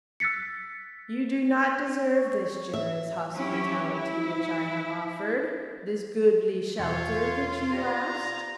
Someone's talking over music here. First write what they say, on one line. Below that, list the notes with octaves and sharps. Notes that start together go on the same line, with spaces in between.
You do not deserve this generous hospitality which I have offered, this goodly shelter which you asked.
E6 F#6 A6 B6 C#7
C#5
E5
F#3 C#4 E4 G4
E4
E2 B2 F4 C#5 C6
G4 D5 A#5